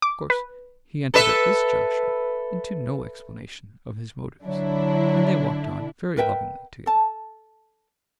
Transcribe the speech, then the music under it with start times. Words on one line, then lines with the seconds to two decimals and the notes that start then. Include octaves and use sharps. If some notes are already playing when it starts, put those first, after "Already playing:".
Of course, he entered at this juncture, into no explanation of his motives, and they walked on very lovingly together.
0.02 D6
0.30 B4
1.14 A4 B4 E5
4.43 D3 F#3 D4 E4
6.17 A#4 B4 E5 G5
6.86 A4 A5